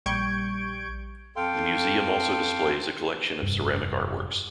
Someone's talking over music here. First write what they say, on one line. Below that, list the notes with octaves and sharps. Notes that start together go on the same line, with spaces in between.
The museum also displays a collection of ceramic artworks.
A#1 G3 C#6 G6 G#6 D7
F2 A4 F5 G5 C6
F1 G2